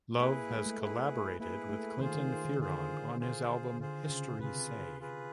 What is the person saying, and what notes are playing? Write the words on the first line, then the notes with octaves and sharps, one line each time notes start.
Love has collaborated with Clinton Fearon on his album "History Say".
A#3 E4 G#4 B4
A3
G#3
A3
E4 G#4 B4
A#3 E4 G#4 B4
A3
D#3 F4 G#4 C5
D#3
D#3
D3 F4 G#4 C5
F4 G#4 C5
D3 F4 G#4 C5
C#3
C3 F4 G#4 B4
F4 G#4 B4